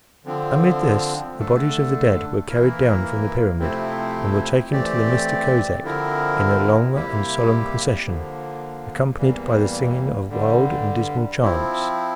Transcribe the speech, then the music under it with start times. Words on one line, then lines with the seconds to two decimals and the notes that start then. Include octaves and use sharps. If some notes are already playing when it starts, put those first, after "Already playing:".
Amid this the bodies of the dead were carried down from the pyramid, and were taken to the Mista Kosek in a long and solemn procession, accompanied by the singing of wild and dismal chants.
0.25 D3 F3 C4
1.37 D3 A3 D4 A4
2.48 E3 A#3 E4 A#4
3.59 C3 F3 A3 C4 E4
4.70 E3 A3 C4 G4 D5
5.82 D3 F3 C4 E4 A#4
6.93 C3 G3 A#3 E4 G4
8.05 D3 F3 A#3
9.16 E2 E3 G3 A#3
10.28 G2 D3 G3
11.39 F3 C4 E4